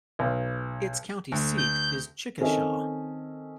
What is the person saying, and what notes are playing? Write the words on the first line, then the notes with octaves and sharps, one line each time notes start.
Its county seat is Chickasha.
B1
D2
G6
D#3 C4 C#4 A4 A#4 D#5